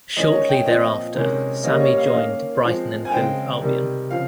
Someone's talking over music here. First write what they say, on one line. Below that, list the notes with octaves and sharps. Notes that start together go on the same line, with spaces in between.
Shortly thereafter Sammy joined Brighton and Hove Albion.
D#3 G#3 C#4 D#5
C#5
G5
A#2 F3 C4 D#5
C3 D#3 G#3 C#4
D#3 G3 A#3 C#4 D#5
C#5
F5
D#5
D#3 A#3 C#4 F5
F3 G#3 C4
G#5
C#3 G#3 C4 G5
C3 D#3 G3
C#3 F3 C4 F5